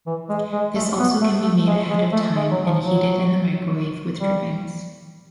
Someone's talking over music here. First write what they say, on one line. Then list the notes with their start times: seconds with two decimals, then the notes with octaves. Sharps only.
This also can be made ahead of time and heated in microwave with drippings.
0.07 E3
0.29 G#3
0.53 G#3
0.76 A3
0.99 B3
1.21 A3
1.44 A3
1.67 G#3
1.90 G#3
2.13 A3
2.36 G#3
2.51 F#3
2.66 F3
2.82 F#3
4.20 G3